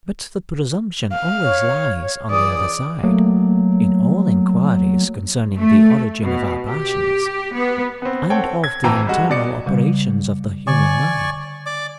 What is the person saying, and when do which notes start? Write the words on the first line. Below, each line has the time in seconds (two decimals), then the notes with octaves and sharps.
But the presumption always lies on the other side, in all enquiries concerning the origin of our passions, and of the internal operations of the human mind.
1.12 F5
1.44 C#5
2.31 C#2 E3 D5 D#6
3.04 F#3 A3 A#3
5.56 A3
6.22 B2
6.66 G4
7.53 B3
8.02 B3 C4
8.30 C4 A4 C#5 F#5 G5 A5
8.64 G#6
8.84 G#1 E3 G5 A5 A#5
9.06 G3 G#3 F#4
9.30 B2 D5 C#7
9.66 C#3 G3
10.67 D3 D5 G#5 C#6
11.66 D5 D6